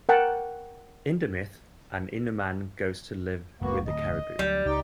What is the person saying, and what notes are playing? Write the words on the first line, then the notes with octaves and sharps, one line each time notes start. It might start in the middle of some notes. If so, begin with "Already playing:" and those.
In the myth, an Innu man goes to live with the Caribou.
A#4 F#5 G5 A5
F#1 C#2 A#3 B3 F#4
D1 D#5
D2 F#3 G3
C#2 D#4 G4 G5